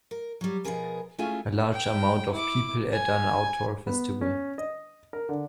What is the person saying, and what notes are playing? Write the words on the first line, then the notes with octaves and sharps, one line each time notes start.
A large amount of people at an outdoor festival.
A#4
F#3 G3
B2 F3 B3 G#4 A#4
A3 C#4 E4 F4 G#4 G#5
G5
E4 D6
G#5
B3
C#4
D#5
A#4
D3